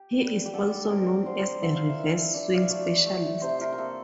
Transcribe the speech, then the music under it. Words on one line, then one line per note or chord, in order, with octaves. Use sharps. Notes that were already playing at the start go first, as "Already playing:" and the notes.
He is also known as a "reverse swing specialist".
Already playing: G4
G3
G4
D3 A4
C4 A#4
D3 C5
D3 E5
F5
E5
E3
F5
E5
D4
F5
E5
A3 D5
A3
C3 C5
A#4
A#4
A#3 A4